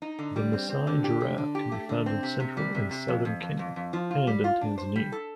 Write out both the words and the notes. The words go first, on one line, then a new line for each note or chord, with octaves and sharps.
The Masai giraffe can be found in central and southern Kenya and in Tanzania.
D#4
D3
G3
C4
C4
D3
G4
D3
D3
G4
A3
D3
C4
C3
C3
G3
C3
C3
F2
F2
F2
F2
F2
F3
F4
G3
F4
D4
C5
G3
A4